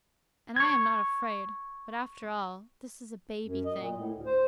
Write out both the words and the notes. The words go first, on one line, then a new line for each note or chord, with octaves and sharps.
And I am not afraid. But after all, this is a baby thing!
C#6 G#6
F#2
D#5
A#2
A2
D2
C5